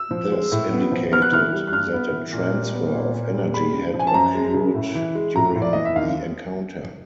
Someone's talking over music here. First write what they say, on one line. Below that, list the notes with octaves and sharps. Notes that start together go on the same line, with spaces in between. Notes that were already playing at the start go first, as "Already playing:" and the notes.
This indicated that a transfer of energy had occurred during the encounter.
Already playing: E6
F3
G#3
A2
B3
F3
B3 F6
F#6
E3 F6
G3
F#6
G2 F6
B3
E3
A#2
G3
B3
A#2
A#2
G3
G#3 B5
C#3
F3
G#5
A5
F#2 A#5
G#3
C#3
A2
E3
G#3
A2 A#5
A2
D5
E3 D#5
E5
D#2 F5